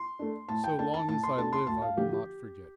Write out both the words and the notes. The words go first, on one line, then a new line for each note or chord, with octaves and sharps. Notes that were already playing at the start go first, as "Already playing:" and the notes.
So long as I live I will not forget.
Already playing: C6
A3 D4
A2 A5
G5
A3 D4 A5
A5
A2 A5
C6
A3 D4 A5
C6
D2 A5
F5
D3 F3 A3 G4
G4